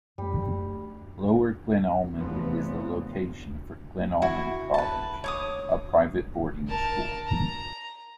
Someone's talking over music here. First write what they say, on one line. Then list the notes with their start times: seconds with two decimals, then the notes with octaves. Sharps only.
Lower Glenalmond is the location for Glenalmond College, a private boarding school.
0.18 F#2 G3 A3
2.16 F1 E2 G2 E3 F3 B3
4.22 E4 F#4
4.74 B4 A5
5.24 C#5 D6 D#6
6.67 A#4 A5
7.28 A#5